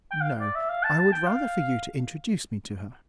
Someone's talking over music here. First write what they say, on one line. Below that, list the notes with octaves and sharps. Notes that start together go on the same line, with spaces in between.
"No, I would rather for you to introduce me to her."
G5
F5
D5
E5
F5
A5
A5
G5
F5